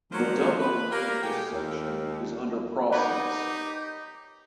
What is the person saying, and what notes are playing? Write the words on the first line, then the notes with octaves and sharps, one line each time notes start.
The doubling of this section is under process.
D#3 F3 F#3 D4 F4 C5
B4
A#3 G4 A#4
B2 G#3 A3 G4
D#2
D#4 G4 A#4 B4 C#5 F#5